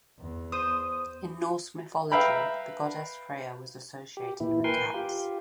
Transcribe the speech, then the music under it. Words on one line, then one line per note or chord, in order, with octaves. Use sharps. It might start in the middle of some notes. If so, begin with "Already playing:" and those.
In Norse mythology, the goddess Freyja was associated with cats.
E2
C5 D#6
B4 E5 F5 G5 A#5 B5
G4
A#2 E3 E4
A#4 B4 G5 G#5 C6
F4 G4